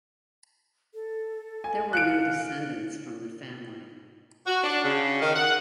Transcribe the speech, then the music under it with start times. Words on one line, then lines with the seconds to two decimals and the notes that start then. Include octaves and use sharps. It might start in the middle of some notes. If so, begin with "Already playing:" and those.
There were no descendants from the family.
0.94 A4
1.64 G#5
1.93 F5 F#6 C#7 D7
4.47 F#4
4.64 D4
4.83 C#3
5.22 D#3
5.34 F#5